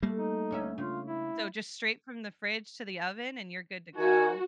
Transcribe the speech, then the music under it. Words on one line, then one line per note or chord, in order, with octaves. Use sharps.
So, just straight from the fridge to the oven, and you're good to go.
G3 A3 A#3
D#4
D2 C#4 E5
C#3 F4
E4
D#4 F#4 A#4 G#5